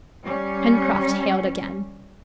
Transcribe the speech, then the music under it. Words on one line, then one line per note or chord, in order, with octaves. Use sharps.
Pencroft hailed again.
G3 C#4